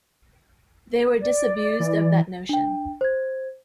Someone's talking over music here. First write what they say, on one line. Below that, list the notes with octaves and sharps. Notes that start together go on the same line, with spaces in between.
They were disabused of that notion.
D5
E3
D4 G5
C5 G#6